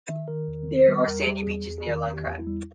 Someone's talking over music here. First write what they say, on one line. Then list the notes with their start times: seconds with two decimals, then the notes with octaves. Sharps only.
There are sandy beaches near Lankaran.
0.08 D#3 E5
0.28 D#3 A#4
0.48 E2
0.68 D#3
0.88 G3
1.07 E2 A#4
1.20 G#4
1.27 G3 G4
1.43 E2 G#4
1.67 E2
1.78 G#4
1.87 D#3 A#4
2.07 E2
2.13 G4
2.26 E2
2.39 E4
2.47 G3